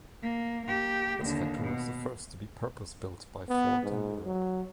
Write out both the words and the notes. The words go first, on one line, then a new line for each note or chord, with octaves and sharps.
This factory was the first to be purpose built by Ford in Europe.
A#3
A#3 G4
D#2 D3
B2
B3
G#2
F#3